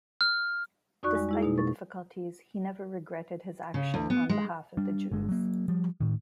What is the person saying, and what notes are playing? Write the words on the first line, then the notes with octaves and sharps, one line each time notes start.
Despite the difficulties, he never regretted his action on behalf of the Jews.
F6
F2 D#4 F#4 D5 C#6 F#6
G3 G#3
G#3 E4 G#4
B2 A#3 D#4
C#6 A6
C#3
D2
B3
G#3
G3 D4
G1 D3 G#3
F#3 A#3
F3 G3
A2 D#3